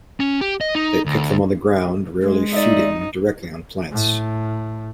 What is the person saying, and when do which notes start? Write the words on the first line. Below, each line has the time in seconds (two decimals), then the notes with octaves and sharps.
They pick them on the ground, rarely feeding directly on plants.
0.20 C#4
0.41 G4
0.61 D#5
0.75 D#4
1.06 D2
2.21 G#3
2.53 D#4 D5 E5
3.92 A2